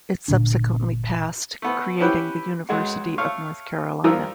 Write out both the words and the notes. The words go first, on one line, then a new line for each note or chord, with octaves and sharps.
It subsequently passed, creating the University of North Carolina.
G1 A#2 D3 D4
A3 B3
C#4 E4 G4 B4 F#5 G5
C#2 G#3 F#4
A3 C#5 F5
G2 F3 A#4 D#6 E6